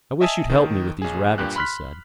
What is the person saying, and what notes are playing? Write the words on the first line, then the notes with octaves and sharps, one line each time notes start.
"I wish you'd help me with these rabbits," he said.
D#5 E5 G#5 A5 D#6 E6
D#2 D#3
A#1 G#4
G2 A#2 G4 F#6
B5 C6 F6 F#6 B6